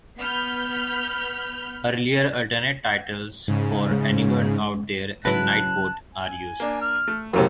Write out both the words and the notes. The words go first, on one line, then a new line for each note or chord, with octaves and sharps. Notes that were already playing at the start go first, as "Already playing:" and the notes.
Earlier alternate titles for "Anyone Out There" and "Night Boat" are used.
B3 B5 F6 G6
G#2 C#3
G#3
C#3 F#3 E4 B4 A5 F#6
G#5
A#3 D4
F6
A3
F#2 C3 E3 A3 B3 C5 F5 A#5